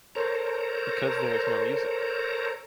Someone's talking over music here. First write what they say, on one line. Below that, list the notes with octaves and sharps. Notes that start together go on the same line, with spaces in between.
Because there is no music.
A4 A#4 C5 C#5 A#5